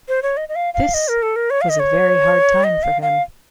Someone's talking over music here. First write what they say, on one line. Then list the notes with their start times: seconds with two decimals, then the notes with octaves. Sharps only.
This was a very hard time for him.
0.08 C5
0.22 C#5
0.37 D#5
0.49 D#5
0.55 F5
0.74 F5
0.94 D#5
1.08 A#4
1.22 A4
1.36 A#4
1.50 C#5
1.61 F5
1.69 D#5
1.79 C#5
2.64 D#5
2.83 F5
3.02 F5